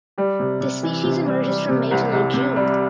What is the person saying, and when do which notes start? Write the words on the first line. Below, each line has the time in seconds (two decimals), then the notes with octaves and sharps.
The species emerges from May to late June.
0.18 G3 G4
0.40 C3
0.61 C3
0.83 E3
1.04 C3
1.27 G3
1.47 G3
1.69 C3
1.91 C2
2.13 C2
2.34 C3
2.56 G3